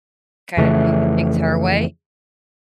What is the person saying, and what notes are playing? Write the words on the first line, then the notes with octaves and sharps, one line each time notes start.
kinda do h things her way?
F2 C#3 E3 A3